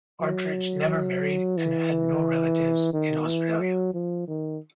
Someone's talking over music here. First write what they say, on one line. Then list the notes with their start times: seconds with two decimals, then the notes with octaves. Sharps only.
Partridge never married and had no relatives in Australia.
0.22 F#3
1.57 E3
2.93 D#3
3.26 E3
3.60 F#3
3.94 F3
4.28 D#3